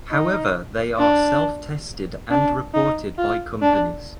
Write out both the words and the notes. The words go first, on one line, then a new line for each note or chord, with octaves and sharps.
However they are self tested and reported by companies.
D#4
D4
D4
D#4
F4
D4